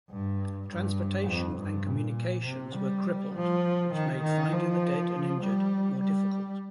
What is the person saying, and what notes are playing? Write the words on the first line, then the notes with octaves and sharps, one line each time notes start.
Transportation and communications were crippled, which made finding the dead and injured more difficult.
G2
G2
F2
G2
A#2
C3
G3
F3
D#3
D#3
F3
G3
G3